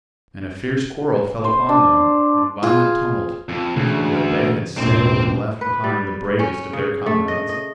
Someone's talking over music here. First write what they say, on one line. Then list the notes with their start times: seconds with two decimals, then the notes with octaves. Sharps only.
And a fierce quarrel fell upon them, and violent tumult, for that they had sailed and left behind the bravest of their comrades.
1.44 C5
1.69 D4
2.63 F4 G#4
3.49 F2
3.76 D2 C#3 E3
4.77 E1 A1 A#2 C4 C5
5.61 B4
5.84 G3
6.39 C#4
6.73 C#3
7.06 A3
7.28 D#5
7.49 D#5